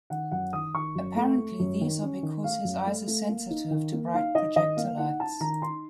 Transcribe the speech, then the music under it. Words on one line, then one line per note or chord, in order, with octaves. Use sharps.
Apparently these are because his eyes are sensitive to bright projector lights.
D#3 F#5
F#2 F#5
D#3 D#6
D#3 C#6
F#2
A3
A3
F#2
D#3
C#4
D#3
A3 F5
F#2
A3
A3
A#3
D#4
D#3
A#3
D#4 F5
D#4 D#5
D#3 D#5
A#3 F5
D#4 F#5
D#4 A5
D#3 A#5
D#4 C6